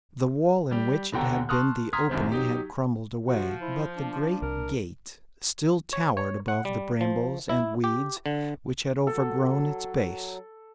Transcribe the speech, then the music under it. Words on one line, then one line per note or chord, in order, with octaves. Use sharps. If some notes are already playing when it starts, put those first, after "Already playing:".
The wall in which it had been the opening had crumbled away, but the great gate still towered above the brambles and weeds which had overgrown its base.
G3 G4
D#1 B2 D3 G5 A#5
A5 C6 C#6 D#6 F6 F#6
A#5 C6 D#6 F6 G#6 B6
C2 F#2 D#3 C4
F#3 D#4 G4
C3 F3 F#4
E4 C5
D4
C2 A#4
C#5
C#5
F#5
G3
F3
E4
G4
D3
F#3 A4